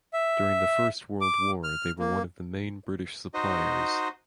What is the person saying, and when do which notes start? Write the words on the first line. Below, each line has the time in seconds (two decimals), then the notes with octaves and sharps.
During the First World War they were one of the main British suppliers.
0.13 E5
1.21 D6
1.64 F6
1.99 A#3
3.34 D#4 F#4 C5 D#5